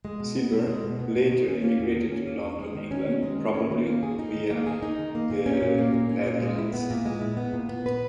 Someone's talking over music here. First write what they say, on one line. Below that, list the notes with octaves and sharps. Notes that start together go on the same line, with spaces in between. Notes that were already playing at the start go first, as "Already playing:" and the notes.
Cibber later emigrated to London, England, probably via the Netherlands.
G#3
B2
B3
B2
G#3
B2
B3
B2
D#3
C#4
A#3
E2
D#3
C#4
A#3
E2
G#3
D#3
C#4
D#3
G#3
D#3
C#4
D#3
A#3
G#4
D#4
D#3
A#3
G#4
D#4
D#3
A#3
A#2
C#4
A#2
A#3
A#2
C#4
A#2
G#3
E4
B3
A#2
G#3
E4
B3
A#2
B3
B4